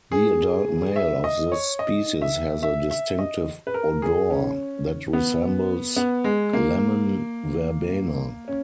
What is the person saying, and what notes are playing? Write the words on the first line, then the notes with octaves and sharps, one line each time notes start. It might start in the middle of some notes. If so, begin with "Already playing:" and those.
The adult male of this species has a distinctive odour that resembles lemon verbena.
G#4
E5
D#5
C#5
D#5
E5
E5
E5
D#5
B4
A#4
G#4
C#4
B3
B3
G#3
A#3
C#4